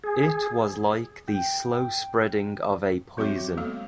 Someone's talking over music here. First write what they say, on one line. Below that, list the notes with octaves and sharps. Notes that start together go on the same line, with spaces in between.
It was like the slow spreading of a poison.
G#4
G5
F#3 C4 F#4 C#5 E5 D6
G#3 A#3 B3 A4 F5